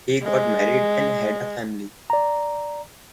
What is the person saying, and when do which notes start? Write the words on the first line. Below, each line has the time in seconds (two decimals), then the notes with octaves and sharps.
He got married and had a family.
0.23 G#3
2.10 D5 A#5